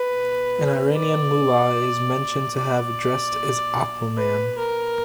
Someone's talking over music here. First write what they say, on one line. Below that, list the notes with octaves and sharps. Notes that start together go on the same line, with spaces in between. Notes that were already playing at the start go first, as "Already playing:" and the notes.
An Iranian mullah is mentioned to have "dressed as Aquaman".
Already playing: B4
D5
D5
B4
A#4